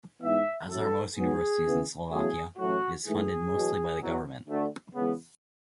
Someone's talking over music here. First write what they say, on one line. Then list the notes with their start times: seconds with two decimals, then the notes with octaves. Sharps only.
As are most universities in Slovakia, it is funded mostly by the government.
0.21 G#2 E3 B3 E5
0.69 A1 A2 F#3 A4
1.16 G#2 F#3 B3 G#4
1.63 E2 C#3 E3 B3
2.11 E2 C#3 F#3 A3 G#4
2.58 A1 A2 F#3 F#4
3.06 G#2 E3 A3 G#4
3.53 E2 B2 F#3
4.01 E2 B2 F#3
4.48 D2 D3 A3
4.95 E2 C#3 G#3 B3